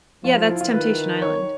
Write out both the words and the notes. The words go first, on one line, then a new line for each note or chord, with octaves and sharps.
Yeah, that's Temptation Island.
F3 F4
F4
E4
F4
D#3 B4
C#5